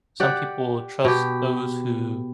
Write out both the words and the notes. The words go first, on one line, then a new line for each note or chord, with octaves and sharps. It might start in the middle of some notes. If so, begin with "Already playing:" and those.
Some people trust those who
G4 D5 F#5
B2 G4